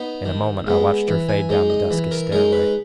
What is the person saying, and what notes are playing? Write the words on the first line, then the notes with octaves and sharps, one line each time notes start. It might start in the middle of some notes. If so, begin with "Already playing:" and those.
In a moment I watched her fade down the dusky stairway.
Already playing: B3 D#4
D#3
G#3 B3
E3
G#5
G#3 D#4
D#5
E3
A#4
G#3 D#4 A#4
B4